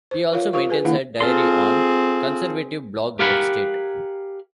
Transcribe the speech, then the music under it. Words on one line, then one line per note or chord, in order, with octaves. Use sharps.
He also maintains a diary on the conservative blog RedState.
C5
F4 A#4 C#5 F5
F4 G4 A#4 C5 F5 C#6
G#4 B4 G#5
D#3 A#3 D4 E4 F5 F#5
C4 F4 G#4 A4 C6
G4 A#4 F5 F#5 G#5 B5